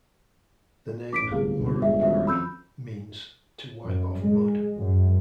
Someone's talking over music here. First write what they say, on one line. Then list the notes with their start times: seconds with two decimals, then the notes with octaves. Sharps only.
The name "Murupara" means "to wipe off mud".
1.13 A1 D6 B6 D7
1.31 D1 G1 C2 D3 A3 G4 G#4 F5
1.61 D2 A#2 C#3
1.82 E1 G3 G#3 D5 E5 G5
2.02 D#3 C#4 F#4 E5
2.27 F2 B5 E6 G6
3.82 F#2
4.20 G#3
4.79 F#2